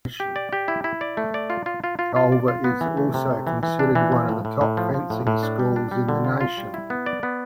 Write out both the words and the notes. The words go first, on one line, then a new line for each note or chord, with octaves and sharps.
Culver is also considered one of the top fencing schools in the nation.
G4
D5
G4
E4
E4
D5
A3
D5
F4
F4
F4
F4
F4
D5
F4
B3
E3
A3
C3
A3
E3
E3
D4
E3
F3
A2
A2
A2
F3
F3
A2
A2
D4
G3
D4
G3
D3
F4
F4
G3
E4
B3
D5
B3